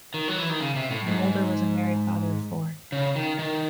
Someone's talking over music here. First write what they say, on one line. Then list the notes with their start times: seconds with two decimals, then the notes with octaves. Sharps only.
Mulder was a married father of four.
0.14 D#3
0.28 F#3
0.38 E3
0.49 D#3
0.60 C#3
0.76 C3
0.91 A2
1.07 G#2
2.92 C#3
3.16 D#3
3.39 D#3